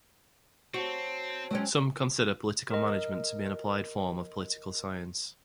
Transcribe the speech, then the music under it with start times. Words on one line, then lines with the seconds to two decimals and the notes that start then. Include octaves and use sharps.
Some consider political management to be an applied form of political science.
0.74 C4 F#4 C5 C#5 A5
1.51 F#3 G#3 C4 C#4
2.71 A#4 D#5